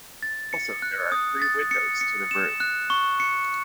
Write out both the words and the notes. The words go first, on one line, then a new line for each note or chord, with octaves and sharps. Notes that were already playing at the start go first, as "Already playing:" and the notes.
Also there are three windows to the room.
A6
C#7
F#6
D#6
A6
C#7
C#7
E7
F#6
C#6
C#7